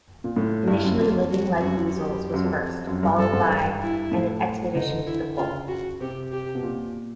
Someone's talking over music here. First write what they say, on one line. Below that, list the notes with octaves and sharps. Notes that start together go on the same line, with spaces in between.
Initially "Living Like Weasels" was first, followed by "An Expedition to the Pole".
A#2
A2 F4
G2 E4
F#2
F2 F4
F#4
F#2 F#4
G4
F#2
F2
F#2
G2
G2 A4
G#2
G2
E4
A2
D3 D#4
E4
C#3 F4
F#4
C3 G4
G4
B2
A#2